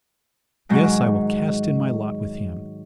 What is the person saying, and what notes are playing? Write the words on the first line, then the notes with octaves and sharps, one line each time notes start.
Yes, I will cast in my lot with him.
G#2 D#3 F#3 G#3